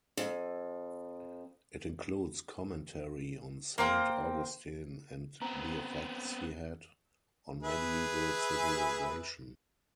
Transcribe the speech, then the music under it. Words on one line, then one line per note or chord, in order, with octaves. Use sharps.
It includes commentary on Saint Augustine and the effects he had on medieval civilization.
F2
A#3 C4 G5
B3 C4 A#5
G#4 B4 E5